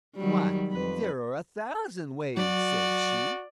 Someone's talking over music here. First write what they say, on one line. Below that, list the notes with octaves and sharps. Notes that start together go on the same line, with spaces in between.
"Why, there are a thousand ways," said she.
D#3 F#3 G3
F2 B4
F#3 F#4 D5